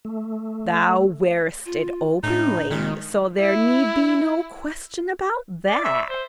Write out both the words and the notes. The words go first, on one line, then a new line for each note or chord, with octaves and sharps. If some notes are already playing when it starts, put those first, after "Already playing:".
Thou wearest it openly, so there need be no question about that.
A3
F4
A2 D4 D#4
A#2 D#3 G#3
E4
D5
E5
C5